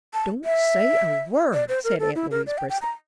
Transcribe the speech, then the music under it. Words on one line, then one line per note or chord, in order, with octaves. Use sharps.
"Don't say a word," said aunt Louise, briskly.
A5
E5
D5
C5
A#4
A4
E4
A#4
D5
G5
G5
A#5